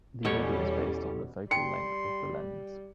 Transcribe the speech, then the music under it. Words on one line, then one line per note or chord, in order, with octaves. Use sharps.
The order is based on the focal length of the lens.
E2 B2 G3 C#4 E4 G4 A4 C#5
G3 D#4 G5 A5 C6 C#7